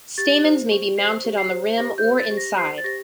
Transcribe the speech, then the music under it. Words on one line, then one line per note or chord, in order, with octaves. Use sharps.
Stamens may be mounted on the rim or inside.
G4 A6
C5
G4
C5 C7
G4
C7
C5
G4 A#6
G6
C5
A6
G4
A#6
C5 C7
A6
G4 A#6